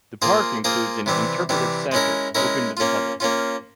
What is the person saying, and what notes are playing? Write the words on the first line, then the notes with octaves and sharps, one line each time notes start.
The park includes an interpretive center open to the public.
A#3 F4 G#4 C5
A#3 F4 G#4 C5
C3 E3 G3 C4
C3 E3 G3 C4
G#3 C#4 E4 A#4
G#3 C#4 E4 A#4
A#3 C#4 F4
A#3 C#4 F4